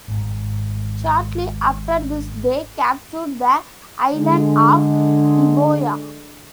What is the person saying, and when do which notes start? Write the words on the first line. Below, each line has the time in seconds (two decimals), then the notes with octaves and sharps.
Shortly after this, they captured the island of Euboea.
0.08 G#1 G#2
4.15 D3 G#3